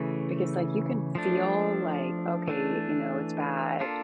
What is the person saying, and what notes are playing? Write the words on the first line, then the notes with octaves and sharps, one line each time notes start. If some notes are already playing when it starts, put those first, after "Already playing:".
Because, like, you can feel, like, okay, you know, it's bad.
Already playing: C#3 E3 A3
F3 A3 D4
E3 A3 D4
A#3 D4 F4 A4